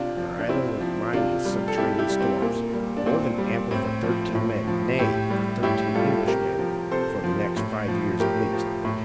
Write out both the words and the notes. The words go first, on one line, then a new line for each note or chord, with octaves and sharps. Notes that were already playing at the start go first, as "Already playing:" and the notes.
Their island was mined with subterranean stores, more than ample for thirteen men--nay, for thirteen Englishmen--for the next five years at least.
Already playing: C3 D4 F4
F3
D4
C3 C4 E4
F3
C3 D4 F4
G3
A4
C3 E4 G4
E4 G4
G3
C4
A#2 A#3
G3
D4
A#2 C4
G3
A2 C4
F3
A2
F3
A2 E4 G4
G3
A2 E4 G4
G3 F4 A4
C3 G4 A#4
F3
C3 A4 C5
F3
A2
F3
A2 G4 A#4
F3
A2